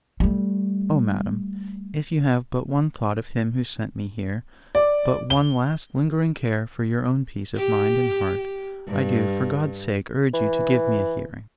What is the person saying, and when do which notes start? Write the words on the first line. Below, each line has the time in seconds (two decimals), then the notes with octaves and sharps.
Oh, madam, if you have but one thought of him who sent me here, but one last lingering care for your own peace of mind and heart, I do for God's sake urge you to give me a hearing.'
0.20 G3 A3
4.75 D5
5.30 G7
7.56 G4
8.87 G2
10.34 E3